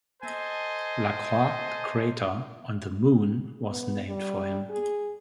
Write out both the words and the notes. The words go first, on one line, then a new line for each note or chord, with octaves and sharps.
Lacroix crater on the Moon was named for him.
A4 C5 D#5 G#5
B3
G3
G#4